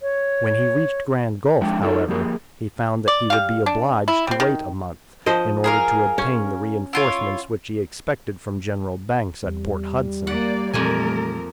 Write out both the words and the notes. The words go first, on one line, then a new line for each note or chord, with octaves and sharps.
When he reached Grand Gulf, however, he found that he would be obliged to wait a month, in order to obtain the reinforcements which he expected from General Banks at Port Hudson.
C#5
F3 G#3 D4 G5
D#4 F4 A4 D5
F3 A#3 G4 G#4
D5
G3 F5
D4
E4
G3 C4
D#3
F3 C5 D#5
G#4 A#4 F5
C#4
E4 F4 C#5
E2 G3 C4
A#3 D5 F#5
F2 A#2 E3 A3 A#3 A#4 G#5